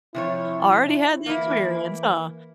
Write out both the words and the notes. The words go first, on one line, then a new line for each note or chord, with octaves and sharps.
Already had the experience, huh?
C3 F3 E4 C#5
E4
E3 A#3 E4